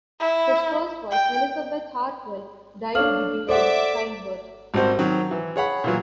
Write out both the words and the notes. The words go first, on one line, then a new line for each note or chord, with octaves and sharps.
His first wife, Elizabeth Hartwell, died during childbirth.
E4
G5
D4 A4 C#5 F5 F6 F#7
A4 C5 D5 E5 F#5 D6 B6
G#1 G3 C4 F#4 C5
D#3 F#3 C4
E3
G#4 C#5 F#5 B5
A#2 E3 F#3